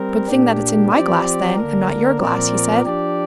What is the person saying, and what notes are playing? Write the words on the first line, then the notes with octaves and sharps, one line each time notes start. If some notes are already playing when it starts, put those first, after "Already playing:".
"Good thing that it's in my glass then, and not your glass," he said.
Already playing: G3 C4 A#4
A#2 A#3 D4 G4
F3 C4 G4 D5
D3 A#3 D4 A#4
A#2 F3 C4 A#4 D5
F3 D4 G4 D5